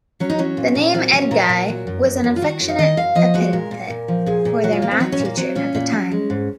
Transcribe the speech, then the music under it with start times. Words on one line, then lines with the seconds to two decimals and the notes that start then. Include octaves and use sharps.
The name "Edguy" was an affectionate epithet for their math teacher at the time.
0.20 F#3 C#4
0.30 D#4
0.38 F#3 C#4
0.57 A#2
0.75 A#2
0.94 F#3 C4
1.12 A#2 C#4
1.31 A#2 A#4
1.49 A#2
1.68 F#3
1.87 F#2
2.05 F#2
2.24 F#2
2.36 F4
2.42 D#3 F#4
2.60 F#2
2.68 F5
2.79 D#3 D#5
2.97 F#2 F5
3.15 F3 D#5
3.34 G#3 F#4
3.53 A#2 A#4
3.71 A#2
3.90 A#2
4.08 F3
4.26 A#2 G#4
4.45 A#2
4.63 F#3 F#4
4.73 F4
4.82 A#2 A#3
4.91 C4
5.00 F#3 D#4
5.12 C#4
5.19 A#2
5.25 A#3
5.37 F#3 C4
5.55 A#2 C#4
5.75 A#2
5.92 F#3
6.11 G#3
6.30 G#2